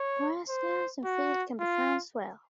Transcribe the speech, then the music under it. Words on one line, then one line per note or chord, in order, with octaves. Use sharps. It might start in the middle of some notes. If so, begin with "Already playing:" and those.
Grasslands and fields can be found as well.
Already playing: C#5
C5
F#4
F4